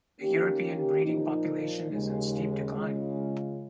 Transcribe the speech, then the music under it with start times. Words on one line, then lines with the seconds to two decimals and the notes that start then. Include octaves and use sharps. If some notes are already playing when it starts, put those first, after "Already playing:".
The European breeding population is in steep decline.
0.19 D#3 A#3 C#4 G4
1.04 A#2 F3 A#3 D#4
1.89 D#2 C#3 G#3
2.74 C#3 G#3 C#4 F4